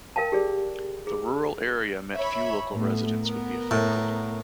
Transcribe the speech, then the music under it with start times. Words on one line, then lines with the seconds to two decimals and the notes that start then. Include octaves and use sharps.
The rural area meant few local residents would be affected.
0.16 A#4 F5 G5 A5
0.32 G4 G#4 D5
1.07 G#4
2.15 C#5 E5 B5
2.73 A2 A3 B3
3.22 B3 A#4
3.71 A2